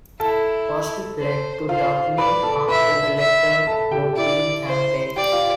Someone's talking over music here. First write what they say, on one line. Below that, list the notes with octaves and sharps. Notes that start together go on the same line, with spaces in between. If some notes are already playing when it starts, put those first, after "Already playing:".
Busby fled to Dublin after the letter-bombing campaign.
E4 A4 A5
C5
F4 C5 F5
B4 D5 B5
A4 A5
B4 E5 B5
E5
A4 A5
G4 G5
E4 D5 E5
C5
G4 D5 G5
F4 F5